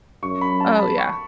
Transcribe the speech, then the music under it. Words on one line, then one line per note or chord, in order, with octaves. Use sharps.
Oh, yeah.
F#2 C#6
B5
A5
B5
C#6